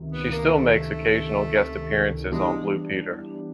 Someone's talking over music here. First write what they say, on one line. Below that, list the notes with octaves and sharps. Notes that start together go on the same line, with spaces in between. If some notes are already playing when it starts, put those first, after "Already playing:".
She still makes occasional guest appearances on "Blue Peter".
Already playing: C#2 C3 D#3
B3
A#3
A3
E3 G3 G#3 B3 D4 G4